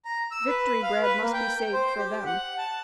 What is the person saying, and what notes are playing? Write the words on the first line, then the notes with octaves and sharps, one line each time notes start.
Victory bread must be saved for them.
A#5
E6
B4
F5
B4
A#3
G5
C5
G4
F#5
A5